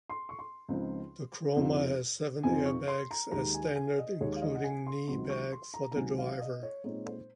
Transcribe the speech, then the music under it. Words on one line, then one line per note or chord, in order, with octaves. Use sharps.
The Croma has seven airbags as standard including knee bag for the driver.
C6
C#6
C6
C#2 C#3 F3 C4 D#4
F2 C3 F3 C4 D#4
F2 C3 F3 C4 D#4 G#5
C#6
C6
A#5
D#2 D#3 G#3 A#5
G#5
G#5
D#5
D#2 D#3 G#3 C#5
F5
D#5
F#5
G#5
C6
C#2 C3 D#3 F#3 C4 C6
C#6
C6
A#5
A#5
C#2 C3 D#3 F#3 C4 G#5
F5
D#5
C#5
A#2 G#3 C4 D#4 C#5
C5